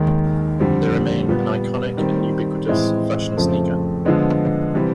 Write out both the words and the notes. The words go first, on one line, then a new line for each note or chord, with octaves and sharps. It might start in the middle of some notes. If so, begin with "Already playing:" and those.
They remain an iconic and ubiquitous fashion sneaker.
Already playing: D#2 D#3 G#3
F2 D3 G3 C4
A#2 G3 B3
D#3 G3 C4
A2 E3 G#3 C4 E4
F2 C#3 F3 A3 C4
D3 F3 G#3 B3
C3 E3 G3 C4